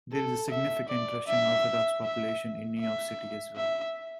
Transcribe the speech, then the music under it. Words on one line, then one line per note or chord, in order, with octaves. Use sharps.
There is a significant Russian Orthodox population in New York City as well.
A4
E5
D5
E5
E5
E5
E5